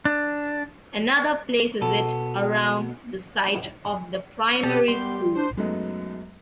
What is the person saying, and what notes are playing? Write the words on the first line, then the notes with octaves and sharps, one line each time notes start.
Another places it around the site of the primary school.
D4
B2 B3 A4
B2 C4 G4 A4 D5
F#2 G3 B3 G4 C6
D4 C5
F#2 F#3 G#3 A3 B3 D#4